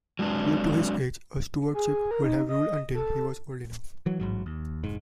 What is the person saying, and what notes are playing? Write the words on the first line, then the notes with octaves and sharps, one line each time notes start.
Due to his age, a stewardship would have ruled until he was old enough.
F#3 G#3 C4 D4
G#4
A#4
D#4
D#5
A4
E3 F#3
A1 G#2 F#3
D#2
F1 G#2